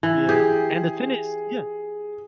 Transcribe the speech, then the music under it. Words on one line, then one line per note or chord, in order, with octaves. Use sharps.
Yeah, and the thing is Yeah.
E3
G4 G#4